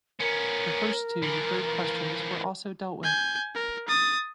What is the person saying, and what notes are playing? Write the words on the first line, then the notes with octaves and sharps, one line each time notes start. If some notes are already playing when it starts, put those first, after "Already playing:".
The first two referred questions were also dealt with.
B3 C#4 A#4
E3 F3
G#5 G6
A#4
D#6 A6